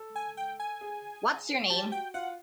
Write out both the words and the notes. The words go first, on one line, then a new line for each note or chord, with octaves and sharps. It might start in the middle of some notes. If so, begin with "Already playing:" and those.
What's your name?
Already playing: A4
G#5
G5
G#5
G#4
G4 A5
F#4 G5
F4 F#5